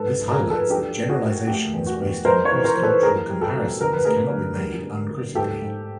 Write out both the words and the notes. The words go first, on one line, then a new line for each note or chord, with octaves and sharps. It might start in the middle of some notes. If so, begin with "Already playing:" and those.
This highlights that generalizations based on cross-cultural comparisons cannot be made uncritically.
Already playing: G#2 A4 B4
G#2
G#4 A#4
F3
A4 B4
D4 G4 A4
A#2
F#4 G#4
A#3
A3 G4
E2
F#4
E2
G#3 A#4 C5
B4 C#5
E3
A#4 C5
E3
A4 B4
A#3 G#4 A#4
G3
G4 A4
B2
D3 A#4
B4
A3 G#4 A#4
D3
G3
A#3
A#3
G#2 G4 A4
G#2